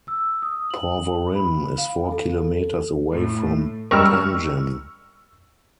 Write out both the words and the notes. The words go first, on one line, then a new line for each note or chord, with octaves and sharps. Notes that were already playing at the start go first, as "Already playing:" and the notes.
Porvorim is four kilometres away from Panjim.
E6
D#6
F#7
B5
F5
A4
A2
G3 G#3 A#4 C#6 E6 F6